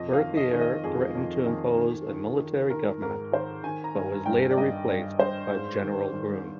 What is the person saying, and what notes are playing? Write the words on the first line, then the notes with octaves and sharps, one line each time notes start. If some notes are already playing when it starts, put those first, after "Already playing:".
Berthier threatened to impose a military government, but was later replaced by general Brune.
Already playing: F2 D#5
F5
D#3
D#5
D#3
D#5
F2 G#4
F2
D#3
D#3
D#3
D#3
D#3 A#4
G#2 A#4
D#3 C5
D#3 G#5
A#5
G2 G#5
G2 G5
D5
G2 D#5
G2 D5
G2 C5
G#2
D#3
D#3